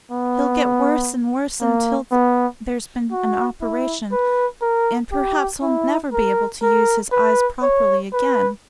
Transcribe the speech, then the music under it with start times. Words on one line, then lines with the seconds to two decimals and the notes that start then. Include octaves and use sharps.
He'll get worse and worse, until there has been an operation; and perhaps he'll never be able to use his eyes properly again.'
0.11 B3
1.61 A#3
2.12 B3
3.12 F#4
3.61 E4
4.12 B4
4.62 A#4
5.12 G4
5.62 E4
6.13 A#4
6.62 A#4
7.12 B4
7.62 C#5
8.13 B4